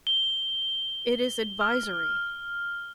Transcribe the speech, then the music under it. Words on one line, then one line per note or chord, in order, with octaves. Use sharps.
It is advisory.
G7
F6